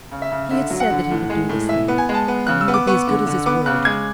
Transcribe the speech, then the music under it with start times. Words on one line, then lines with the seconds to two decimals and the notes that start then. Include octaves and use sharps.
He had said that he would do this thing, and he would be as good as his word.
0.11 C#3
0.22 E5
0.32 C#3
0.51 D3 E5
0.70 F#3
0.80 F#5
0.90 D3
1.11 A2
1.30 G#3
1.49 A2
1.69 E3 E5
1.88 B3
1.98 G#5
2.09 G#3
2.14 A5
2.28 B3
2.47 C#3 F#6
2.61 E6
2.68 B3
2.74 D6
2.87 B3 C#6
3.07 D3
3.27 D3
3.46 B3 D6
3.66 C#3 F#6
3.85 G#3 G#6